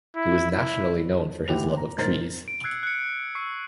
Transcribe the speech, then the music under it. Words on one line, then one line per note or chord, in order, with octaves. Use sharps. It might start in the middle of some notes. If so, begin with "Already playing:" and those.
He was nationally known for his love of trees.
E4
E4
D2 E3 G4 B4 F7
A#5
D#1 G#2 A#4 C5 A6
D7
E6 F#6 G#6 C7 C#7
F#6 C#7
C#6 E6 C7